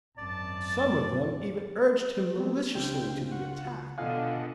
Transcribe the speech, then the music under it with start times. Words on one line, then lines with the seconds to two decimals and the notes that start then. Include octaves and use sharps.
Some of them even urged him maliciously to the attack.
0.17 G#1 F#2 D5 A5
2.37 B3 C4
2.75 C#2 C4 D4 G4 G5
3.32 F4 F#4 F#5
3.98 B2 D3 F4 A4 D#5 F5 F#5 G#5